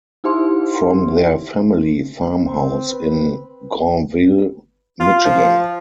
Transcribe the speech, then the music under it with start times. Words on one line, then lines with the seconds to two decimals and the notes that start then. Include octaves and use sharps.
From their family farmhouse in Grandville, Michigan.
0.24 D#4 E4 G4 C5 E5 C6
2.45 C4
2.90 B4
5.00 F4
5.25 F3